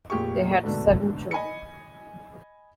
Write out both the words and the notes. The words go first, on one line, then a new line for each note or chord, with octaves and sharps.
They had seven children.
F1 A#2 G4 G#4 C#6
G#2 B2 D3 A3 D4
D#5 G#5 B5 C#7